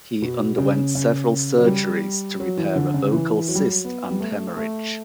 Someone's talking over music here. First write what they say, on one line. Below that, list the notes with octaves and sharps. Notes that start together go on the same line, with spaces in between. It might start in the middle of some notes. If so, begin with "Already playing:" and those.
He underwent several surgeries to repair a vocal cyst and hemorrhage.
B2
C#3
C#3
F#3
G3
F#3
E3
D3
C#3
E3
F#3
G3
F#3
B3
G3
A3
A3